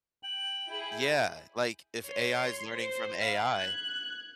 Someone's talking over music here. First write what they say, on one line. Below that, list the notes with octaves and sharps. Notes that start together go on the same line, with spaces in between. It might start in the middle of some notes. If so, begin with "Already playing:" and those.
Yeah. Like, if AI is learning from AI
G5 F#7
E4 G#4
C#5 C6
C5
F5 B5
F#6 G#6